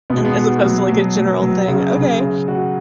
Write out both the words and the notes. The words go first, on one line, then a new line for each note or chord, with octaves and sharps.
as opposed to, like, a general thing. Okay,
B2 B3
G#3
B3
F#4
F#3
F#3
F#3
F#3
C#3
C#3
C#3
F#4